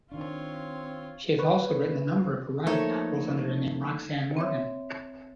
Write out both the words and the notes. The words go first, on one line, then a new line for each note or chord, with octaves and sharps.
She has also written a number of erotic novels under the name Roxanne Morgan.
D#3 C4 D4 F4 C#5
B4 C#6
F3 A3 A#3 D#4 C#5
C4 C#5 E5